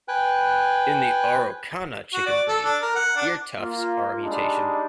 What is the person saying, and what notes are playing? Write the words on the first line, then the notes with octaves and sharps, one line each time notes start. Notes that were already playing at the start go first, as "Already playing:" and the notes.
In the Araucana chicken breed, ear tufts are a mutation.
B4 G5 G#5 F#6
F#4
D5
A4
D4
A#4
F#5
D4
A#3 F4
G3 G#3 D4 D#4